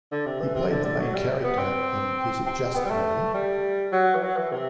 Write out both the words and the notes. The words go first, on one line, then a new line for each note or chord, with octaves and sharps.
He played the main character in Is It Just Me?
D3
C3
E3
C3
D3
D3
F#3
G3
B3
C4
C4
B3
G3
A3
G3
F#3
E3
F#3
E3
C3